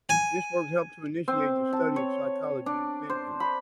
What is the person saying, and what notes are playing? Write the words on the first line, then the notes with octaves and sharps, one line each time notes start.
This work helped initiate the study of phycology in Finland.
G#5
C4
A5
C#5
D4
C5
B5